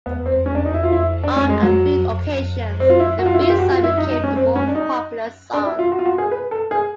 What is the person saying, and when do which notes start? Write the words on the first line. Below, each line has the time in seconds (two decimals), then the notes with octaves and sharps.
On a few occasions, the B-side became the more popular song.
0.06 B3
0.26 C4
0.46 C#4
0.55 D4
0.65 D#4
0.74 E4
0.84 F4
0.92 E4
1.23 D4
1.36 C#4
1.49 G#3
1.63 F#3
2.80 C4
2.90 F4
3.00 E4
3.19 F#4
3.26 F4
3.34 E4
3.41 F4
3.50 G4
3.58 F#4
3.71 F4
3.83 E4
3.98 D#4
4.10 D#4
4.24 C#4
4.36 C4
4.56 C#4
4.68 D4
4.75 D#4
5.53 D4
5.66 E4
5.79 F4
5.92 F#4
5.99 F4
6.06 F#4
6.18 G#4
6.31 B4
6.51 A4
6.71 G#4